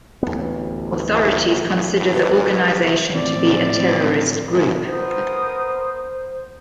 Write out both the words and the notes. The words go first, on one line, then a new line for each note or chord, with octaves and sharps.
Authorities consider the organization to be a terrorist group.
A1 D2 B3
B4
A2 F3 C4 D5
B3 A#4 C5 D#6